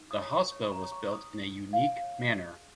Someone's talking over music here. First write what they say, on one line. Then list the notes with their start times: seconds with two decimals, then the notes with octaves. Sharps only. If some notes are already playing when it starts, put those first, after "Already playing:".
The hospital was built in a unique manner.
Already playing: D#4
0.11 D#6
0.21 C#5
0.31 C#6
0.52 C#5
0.64 C#6
0.72 A#5
0.81 C#5
0.92 C#6
1.12 D#4 D#6
1.42 D#4
1.73 C#5 F5
2.03 C#5
2.34 G#4